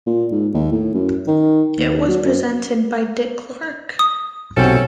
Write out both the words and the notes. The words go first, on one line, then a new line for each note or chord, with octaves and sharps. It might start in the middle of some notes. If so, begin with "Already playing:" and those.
It was presented by Dick Clark.
A#2
G#2
D#2
A2
F#2
D#3
D#2
F#3
F#2
D#6
B1 C3 C4 C#4 F#4 A4